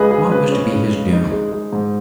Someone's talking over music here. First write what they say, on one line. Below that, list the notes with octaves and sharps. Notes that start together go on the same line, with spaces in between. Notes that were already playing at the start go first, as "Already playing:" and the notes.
What was to be his doom?
Already playing: C#2 C#3 G#3 G#4 B4 D#5
G#3 G#4
C#3 B4
C#4
C#3
G#3
D#4
G#3
G#3
G#2